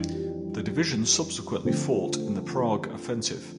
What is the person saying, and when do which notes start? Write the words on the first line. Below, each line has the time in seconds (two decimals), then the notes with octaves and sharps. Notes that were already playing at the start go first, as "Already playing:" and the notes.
The division subsequently fought in the Prague Offensive.
Already playing: F2 E3 G3 D4
1.64 D3 F3 A3 C4